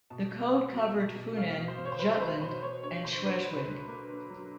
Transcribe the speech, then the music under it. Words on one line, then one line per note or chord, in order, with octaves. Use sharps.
The code covered Funen, Jutland, and Schleswig.
B2 A5
B2
A#3
F#3
B2
B2
B2 F5
B2
C5
B2
C#5
C5
B2 B4
F#3 B4
B2 C5
A#3 C#5
D3 C#5
A#3 C5
D3 B4
F#3
B4
D3
A#3
D3
F#3